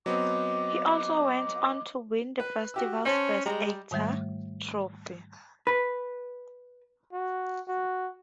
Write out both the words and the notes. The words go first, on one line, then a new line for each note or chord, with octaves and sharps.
He also went on to win the festival's best actor trophy.
F#3 B3 C4 D#5 D6
B4
F#4 G4 E6
C#4 C5 C#5 A5
G3 G#3 A#5
G#2 D#3 G3 A3
B4
F#4
F#4